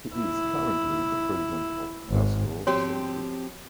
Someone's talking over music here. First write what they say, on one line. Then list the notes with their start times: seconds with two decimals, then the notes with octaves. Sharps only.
He is currently the president of Glasgow Celtic.
0.15 E4
2.09 G#1
2.67 F3 C4 F#4 G4 C#5